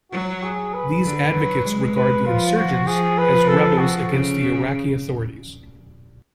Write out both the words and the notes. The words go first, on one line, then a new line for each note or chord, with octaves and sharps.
These advocates regard the insurgents as rebels against the Iraqi authorities.
F#3 F#4
G#4
B4
D3
F#3
G#3 B4
B4
F3 F4
F#4
F3 G#4
B4
A4
F#4
C#3